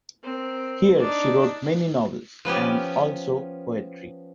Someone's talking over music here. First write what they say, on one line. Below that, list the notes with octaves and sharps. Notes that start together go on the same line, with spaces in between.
Here she wrote many novels and also poetry.
C4 A#4
D4 D#4
F3 B3 C#4 G4